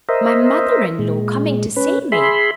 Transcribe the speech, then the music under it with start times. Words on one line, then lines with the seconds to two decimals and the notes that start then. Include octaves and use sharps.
My mother-in-law coming to see me!
0.09 A#4 C5 D#5 E5
0.99 A#2 G#3
1.76 C#4 B4
2.12 G#4 E5 B5 C6